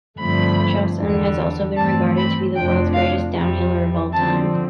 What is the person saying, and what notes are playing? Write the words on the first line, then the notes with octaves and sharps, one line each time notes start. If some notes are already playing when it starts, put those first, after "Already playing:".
Chausson has also been regarded to be the world's greatest downhiller of all time.
G2 D3 F3 A3 C4 B5
E2 D3 G3
G2 E3 A3 C4 A5
B5
F2 C3 F3 A3 D4 G5
F5
F2 C3 G3
D3 F3 C4 A5